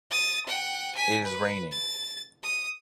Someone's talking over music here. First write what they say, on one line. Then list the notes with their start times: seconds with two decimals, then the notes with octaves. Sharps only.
It is raining.
0.11 D#6 A6
0.46 F#5 G5
0.95 G#5 B6
1.25 B4
1.71 A6
2.43 D#6